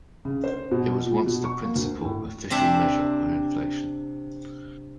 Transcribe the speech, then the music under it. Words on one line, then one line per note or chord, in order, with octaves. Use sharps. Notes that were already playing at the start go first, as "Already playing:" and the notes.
It was once the principal official measure of inflation.
C#3
C5
B2
A#2
B2
C#6
A#3
D2
A2
C3 C4 D4 E5